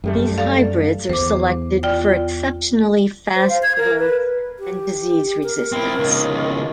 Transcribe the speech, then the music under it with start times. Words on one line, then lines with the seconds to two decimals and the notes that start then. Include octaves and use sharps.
These hybrids are selected for exceptionally fast growth and disease resistance.
0.04 F#2 G3 A3
0.38 A4 D5 F5
1.09 E2 C5 D6
1.83 F4 D5 G5
3.36 C5
3.49 F5
3.63 G#6
3.78 A#4
3.99 B4
4.59 G4
5.43 A#4
5.72 C4 E4
5.99 C#2 D#3